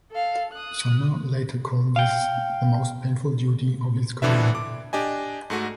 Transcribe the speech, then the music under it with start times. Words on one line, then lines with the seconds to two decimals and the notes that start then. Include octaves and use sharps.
Sumner later called this the most painful duty of his career.
0.12 A4 F5
0.53 D#6 F#6
1.96 F5 G5
4.22 F2 D3 E3 D4 E5
4.55 D6
4.93 D4 G4 D#5 G#5
5.50 G#2 A3 F#4